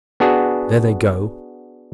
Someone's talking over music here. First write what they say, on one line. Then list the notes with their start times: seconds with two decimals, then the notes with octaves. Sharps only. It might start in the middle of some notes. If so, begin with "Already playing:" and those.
"There they go!"
0.20 B3 D4 F#4 G#4